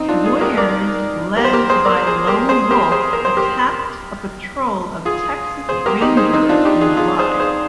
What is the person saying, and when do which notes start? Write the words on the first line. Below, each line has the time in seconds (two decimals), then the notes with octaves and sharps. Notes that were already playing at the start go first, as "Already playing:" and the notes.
Warriors led by Lone Wolf attacked a patrol of Texas Rangers in July.
Already playing: C4 D#4
0.08 D4 F4
0.25 F4 G#4
0.41 G4 A#4
0.57 A#4 D5
1.37 G4 A#4
1.45 C5
1.53 G4 A#4
1.69 G#4 C5
1.85 A#4 D5
2.07 G#4 C5
2.27 G4 A#4
2.49 G#4 C5
2.71 G4 A#4
2.92 G#4 C5
3.13 A#4
3.25 C5
3.37 G4 A#4
5.05 F4 G#4
5.69 G#4 C5
5.86 G4 A#4
6.01 D#4 G4
6.17 G#4 C5
6.33 C4 D#4
6.49 D4 F4
6.65 D#4 G4
6.81 F4 G#4
6.97 F4 G#4
7.19 G#4 C5
7.40 G#4 C5